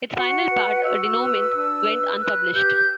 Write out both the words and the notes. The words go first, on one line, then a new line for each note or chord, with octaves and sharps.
Its final part, a denouement, went unpublished.
F#4 F#5
B4
F#4 E6
B4
D4
B4
B4 F#6
G4 G6